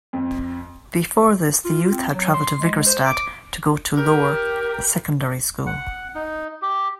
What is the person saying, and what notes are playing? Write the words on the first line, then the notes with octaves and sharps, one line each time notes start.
Before this the youth had traveled to Vigrestad to go to lower secondary school.
F2
F4
C4
F#3
C6
G#3
C5
D6
G4 A#4
F#5
D#4
G4